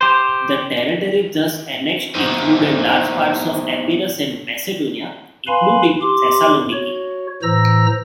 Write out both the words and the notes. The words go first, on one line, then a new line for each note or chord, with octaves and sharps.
The territory thus annexed included large parts of Epirus and Macedonia, including Thessaloniki.
G4 C5
B3 D#4 E4 C5
B4 F5 G#5 B5 C6
G4 C6 D6
F#4 C#5
A2 E3 C5 A#5 E6 A#6